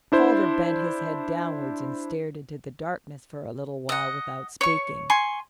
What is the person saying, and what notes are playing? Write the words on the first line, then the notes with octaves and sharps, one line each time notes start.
Calder bent his head downwards and stared into the darkness for a little while without speaking.
D4 E4 C5
D#5 F#5
C#5 C#6
G#5 C6 C#6